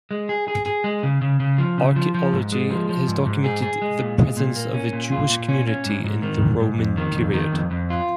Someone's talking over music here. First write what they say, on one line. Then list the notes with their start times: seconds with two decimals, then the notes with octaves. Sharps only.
Archaeology has documented the presence of a Jewish community in the Roman period.
0.11 G#3
0.29 G#4
0.48 G#4
0.66 G#4
0.84 G#3
1.03 C#3
1.22 C#3
1.40 C#3
1.58 F3
1.78 C#3
1.96 F3
2.15 F3
2.33 G#2
2.52 G#3
2.70 F3
2.89 F3
3.07 G#2
3.26 G#2
3.44 G#4
3.62 G#4
3.82 G#3
4.00 A#2
4.19 G#3
4.37 A#2
4.56 A#3
4.74 C#4
4.93 A#2
5.12 F4
5.30 A#2
5.49 C#4
5.67 C#4
5.85 G#2
6.04 G#2
6.22 D#3
6.41 G#2
6.60 G#2
6.79 F2
6.97 D#3
7.16 F2
7.34 D#3
7.52 F2
7.71 F2
7.90 F4